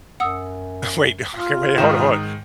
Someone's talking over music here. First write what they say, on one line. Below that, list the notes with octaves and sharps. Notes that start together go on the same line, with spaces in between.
Wait. Okay, wait, hold on hold on,
F#2 F#5 D#6 E6
F4
G#2 D#3 D#4 E7